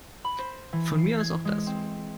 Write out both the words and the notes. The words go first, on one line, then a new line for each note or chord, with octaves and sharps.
Von mir aus auch das.
B5
C5
E3
C7
G#6
G#3
C4